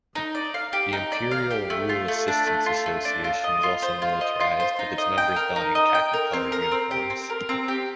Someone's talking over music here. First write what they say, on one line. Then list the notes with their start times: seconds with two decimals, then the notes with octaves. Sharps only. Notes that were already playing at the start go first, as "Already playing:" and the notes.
The Imperial Rule Assistance Association was also militarized, with its members donning khaki-colored uniforms.
0.15 D#4
0.35 D5
0.54 F5
0.73 G4
0.93 D#4
1.12 D5
1.31 F5
1.51 G4
1.70 A3
1.89 F4
2.08 A3
2.28 D4
2.47 A3
2.66 F4
2.86 A3
3.05 D4
3.24 F4
3.44 D#5
3.63 F4
3.82 C5
4.02 F4
4.21 D#5
4.40 F4
4.60 C5
4.79 D#4
4.98 D#5
5.18 G5
5.36 A#4
5.56 D#4
5.75 D#5
5.95 G5
6.13 A#4
6.33 C4
6.52 A#4
6.72 C4
6.91 G4
7.10 C4
7.30 A#4
7.49 C4
7.68 G4